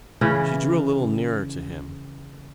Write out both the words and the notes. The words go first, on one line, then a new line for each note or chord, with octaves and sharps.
She drew a little nearer to him.
C#3 E3 C#4